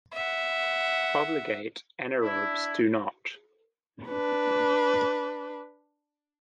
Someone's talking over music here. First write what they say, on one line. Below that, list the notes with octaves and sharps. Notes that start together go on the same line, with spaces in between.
Obligate anaerobes do not.
E5 F#5
D4 E4
D4 B4